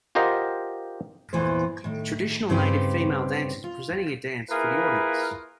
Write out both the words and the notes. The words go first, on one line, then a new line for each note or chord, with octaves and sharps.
Traditional native, female dancers presenting a dance for the audience.
F4 G4 A#4 C5 D#5 F#5
E2 A#2 E3 B3 C5
A2 D#3
G2 C#3 C4 D#4 G4 B4
F4
A#3 E4 F4 G#4 A#4 B4